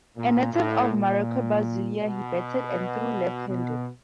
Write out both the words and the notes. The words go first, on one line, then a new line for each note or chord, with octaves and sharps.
A native of Maracaibo Zulia, he batted and threw left-handed.
A#2
A2
A#2
B2
B2